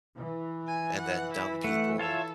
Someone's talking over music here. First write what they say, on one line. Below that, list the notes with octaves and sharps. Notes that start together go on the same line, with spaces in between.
and then dumb people
E3
G#5
F#5
E4
A3 F#5
F4 A4 C#5 E5